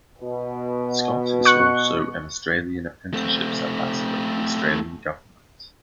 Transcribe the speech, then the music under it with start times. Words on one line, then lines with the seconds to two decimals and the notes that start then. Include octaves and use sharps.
Scott is also an Australian Apprenticeships Ambassador for the Australian Government.
0.21 B2
1.45 C#6 F#6 C#7
3.14 A3 C4